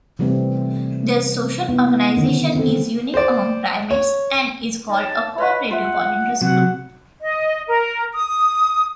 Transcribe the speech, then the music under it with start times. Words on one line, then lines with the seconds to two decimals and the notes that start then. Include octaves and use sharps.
Their social organization is unique among primates and is called a "cooperative polyandrous group".
0.19 C3 E3 G3 A3 C4
1.69 B3 E4
2.16 D3 D#3 C#4
2.55 C4 A4
3.14 C5 D5
3.91 C#5
4.89 D#4 C#5 A5
5.38 B4 C#5 D#5 A5
5.70 F4 E5 F#5
6.41 C3 F#3 F#5
7.21 D#5
7.68 A#4
8.13 D#6